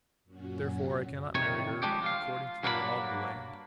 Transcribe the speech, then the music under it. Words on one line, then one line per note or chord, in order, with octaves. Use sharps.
Therefore I cannot marry her, according to the law of the land.
F#2 A#2 C#4 F#4
F2 C3 D#3 C#5
F3 G#3 D4 G4
F4 F5
G2 F#3 A#3 D4 A4 B5